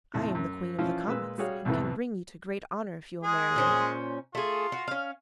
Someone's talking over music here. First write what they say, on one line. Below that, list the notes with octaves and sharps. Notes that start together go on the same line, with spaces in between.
I am the Queen of the Comets, and can bring you to great honour if you will marry me.'
D#2 A2 C3
F#2
E3 F3 C#4 F4
A#2 G#3 B4 E6
G3 F#4 G#4 C#5 F5
C2 F2 A2 C3 E3 B3
G#3 G#4
A#2 C#4 C5
A3 F4 G#4
F#4
C#4 F5